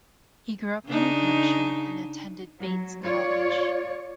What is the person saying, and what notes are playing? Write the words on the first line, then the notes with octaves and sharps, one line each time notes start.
He grew up in New Hampshire and attended Bates College.
C#3 D4 D#4
F#3
F4 C#5 D5